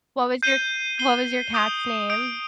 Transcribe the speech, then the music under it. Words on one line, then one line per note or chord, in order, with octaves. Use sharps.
What was your what was your cat's name?
G6 C7 D#7 G7
G6 C7 D#7 G7
D#6 G6 D7 F7
D#6 G6 D7 F7